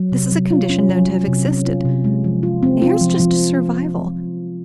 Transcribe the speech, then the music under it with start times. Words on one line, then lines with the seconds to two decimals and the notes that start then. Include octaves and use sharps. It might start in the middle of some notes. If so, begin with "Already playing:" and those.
This is a condition known to have existed--here's just a survival.
Already playing: F#3
0.12 C3
0.32 F#3
0.51 F4
0.70 C#4
0.89 F#3
1.08 F#3
1.28 C3
1.47 C#4
1.66 F4
1.85 C3
2.04 G#3
2.24 F3
2.43 F4
2.63 C4
2.82 F4
3.01 F3
3.20 F3